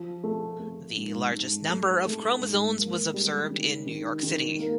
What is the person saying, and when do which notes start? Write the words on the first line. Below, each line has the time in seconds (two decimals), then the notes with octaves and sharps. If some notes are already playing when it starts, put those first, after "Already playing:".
The largest number of chromosomes was observed in New York City.
Already playing: F3
0.24 A3
0.60 A3
0.97 G#2
1.32 G#2
1.69 A3
2.05 A3
2.41 G#2
2.78 A#3
3.14 G3
3.50 D#3
3.87 D#3
4.23 D#3
4.59 A#3